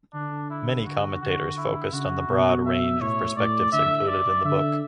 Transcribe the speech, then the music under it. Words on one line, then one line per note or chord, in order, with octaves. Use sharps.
Many commentators focused on the broad range of perspectives included in the book.
D3 D4
E4
D3 F#4
D3 F#4
E4
C#3 F#4
B2
E5
A2 C#5
A2 D5
D3 E5
D5
D3 E5